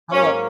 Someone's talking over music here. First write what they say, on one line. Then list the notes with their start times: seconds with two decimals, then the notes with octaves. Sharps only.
How 'bout
0.11 G#2 F#3 A#3 C#4